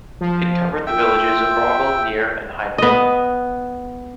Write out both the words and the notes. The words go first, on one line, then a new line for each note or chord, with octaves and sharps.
It covered the villages of Roggel, Neer, and Heibloem.
F3
F4 E5 G5
B3 D#5